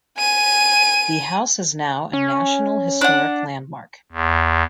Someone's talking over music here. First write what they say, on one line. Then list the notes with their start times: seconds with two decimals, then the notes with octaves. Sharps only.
The house is now a National Historic Landmark.
0.18 G#5 D#7
2.13 C#4
3.01 D4 F#5
4.12 E2